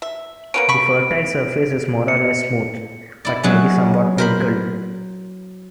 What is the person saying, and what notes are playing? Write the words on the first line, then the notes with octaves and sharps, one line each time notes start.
The fertile surface is more or less smooth but may be somewhat wrinkled.
E5
A#3 B3 C#4 D7
B5 C#6
C#7
E4 D5
F#3 G#3 C#4
A#4 C5 B5